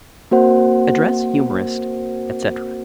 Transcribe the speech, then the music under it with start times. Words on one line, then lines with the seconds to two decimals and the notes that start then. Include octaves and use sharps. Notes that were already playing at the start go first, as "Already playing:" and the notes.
Address HUMORIST, etc.
0.31 A#3 C4 F#4 A#4 C5 F#5